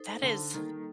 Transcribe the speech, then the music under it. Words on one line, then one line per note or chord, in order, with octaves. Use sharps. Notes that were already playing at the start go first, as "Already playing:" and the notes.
That is
Already playing: D#4 A4 C5
D3
D#3 G3 A#3 D#4 A4